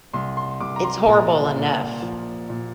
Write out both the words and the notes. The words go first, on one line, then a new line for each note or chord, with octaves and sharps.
It's horrible enough.
C2 C6
C6
C2 D6
A#5
C6
A#2 A#5
A#2
F3
A#2